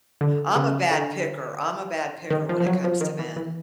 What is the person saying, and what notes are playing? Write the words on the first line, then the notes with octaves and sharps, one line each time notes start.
I'm a bad picker, I'm a bad picker when it comes to men.
D3
C#3
D3
D#3
F3
F3
F#3
F3
D#3
E3
E3